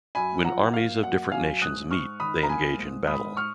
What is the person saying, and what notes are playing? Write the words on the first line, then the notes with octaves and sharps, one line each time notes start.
When armies of different nations meet, they engage in battle.
F#2 G#5 B5
F3 F#5 A#5
A#3 F5
F#2 F#5
F#2 F5 G#5
G#2 D#6 F#6
G#2 C#6 F6
D#3 B5 D#6
A#5
A#3 G#5 B5
G#2
G#2 B5 D#6
C#6 F6